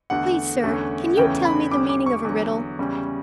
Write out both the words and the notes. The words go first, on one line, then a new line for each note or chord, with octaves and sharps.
"Please, sir, can you tell me the meaning of a riddle?"
E2 D3 A3 F#5
E2 D3 A3 C#4
E2 C#3 E3 A3 C#4 G5
B5
E2 D3 G3 C#4 D6
D6
C#6
E2 D3 F#3
E2 C#3 G3 C#4